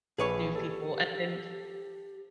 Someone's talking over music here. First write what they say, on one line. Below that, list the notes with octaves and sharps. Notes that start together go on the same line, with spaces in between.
new people and then
A#1 G#4 B4 C#5
G4 A4